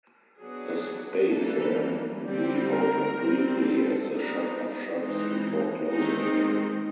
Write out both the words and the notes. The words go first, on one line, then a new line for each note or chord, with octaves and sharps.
The space then reopened briefly as the ‘Shop of Shops’ before closing again.
F#3 B3 D4 G#4
E3 G3 A#3 A4
D3 G3 C4
A#4
G3 C4
A4
G3 B3 D4 D#4
E3 G#3 C4 D#4
D#3 G#3 C4 D#4